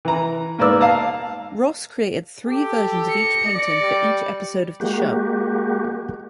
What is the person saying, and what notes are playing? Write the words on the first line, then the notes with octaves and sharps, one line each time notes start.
Ross created three versions of each painting for each episode of the show.
E3 A#5
G#2 A#3 B3 D5 E6
F5 A5 A#5
G4 A4
A#6 C#7
D5
G3
G#3 A#3 F#4 G4